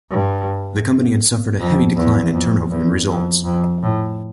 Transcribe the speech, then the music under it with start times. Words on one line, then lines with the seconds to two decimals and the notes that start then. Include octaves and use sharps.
The company had suffered a heavy decline in turnover and results.
0.11 G2
1.60 F2
1.97 E2
2.33 F2
2.71 E2
3.08 F2
3.45 F2
3.82 A2